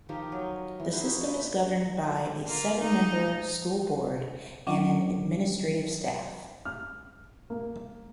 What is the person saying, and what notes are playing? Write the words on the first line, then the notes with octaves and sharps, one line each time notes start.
The system is governed by a seven-member school board and an administrative staff.
D#3 F3 G4 A#4
F#3 D#5
E3
D#4 E4 F#4 C5
A#3 D#4 B4
A#3 F4
D#4
F#3 C#4 D4 F4
F6
A#3